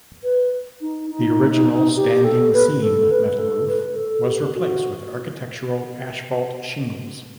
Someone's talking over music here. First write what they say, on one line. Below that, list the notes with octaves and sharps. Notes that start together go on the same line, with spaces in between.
The original standing seam metal roof was replaced with architectural asphalt shingles.
B4
D#4
D#4
G4
A4
B4
A4
B4
A4
B4
A4
G4
F#4